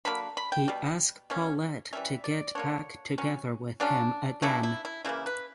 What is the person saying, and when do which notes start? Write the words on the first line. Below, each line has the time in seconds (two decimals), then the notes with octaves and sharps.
He ask Paulette to get back together with him again.
0.05 D3 F#3 A#3 B5
0.37 B5
0.52 G5
0.68 B2 G3
1.30 B2 A#3 C#4
1.93 E3 G3 C#4 E5
2.24 D5
2.55 D3 A#3 D4 C#5
3.18 F#3 C#4
3.80 C#3 F#3 C#4 D4
4.42 C#3 F#3 B3 D4 E4
4.63 E4
4.85 E4
5.05 C#3 E3 A#3 E4
5.26 B4